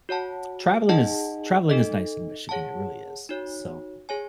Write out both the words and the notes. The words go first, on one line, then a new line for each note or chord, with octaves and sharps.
traveling is traveling is nice in Michigan it really is, so.
F#4 C#5 F#5 A5
D#4 G#4 D#5 F#5 A5
D#4 A4 D#5
G#4 C#5 F#5 A5
D#4 F#4 C#5
G#4 C#5 G#5